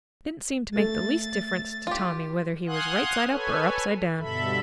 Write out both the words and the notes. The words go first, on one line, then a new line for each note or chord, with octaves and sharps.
It didn't seem to make the least difference to Tommy whether he was right side up or upside down.
A3 A6
F4 G4
F5 F#5 G#5 C6 D#6 F#6
A4 B4 C#5 G#5
G2 B2 D3 A4 E5 B5